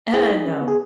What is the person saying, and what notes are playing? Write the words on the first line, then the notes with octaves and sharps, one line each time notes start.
Eh, no.
E4 G#4
D#4
C#4
B3
G#4